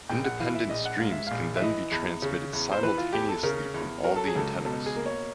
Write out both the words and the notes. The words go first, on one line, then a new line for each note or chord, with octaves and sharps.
Independent streams can then be transmitted simultaneously from all the antennas.
A#1 G5
F#5
E3 F5
E5
A#1 D#5
F#5
G#2 F5
E5
A#1 F5
E5
E3 D#5
E2
C#3
E2
C5
E3 B4
F4
E2 G4
A4
C#3 A#4
E2
F#3 A#4
A4
G#4
C#2 A4
B2 A4
G#4
A#3
C#5